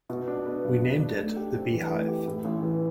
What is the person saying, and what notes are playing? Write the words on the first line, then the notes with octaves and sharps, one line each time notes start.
We named it The Beehive.
B2
D4
B3
B1
B2
D4
A3
G4
C4
E3
A3
G4
A2
A1
E3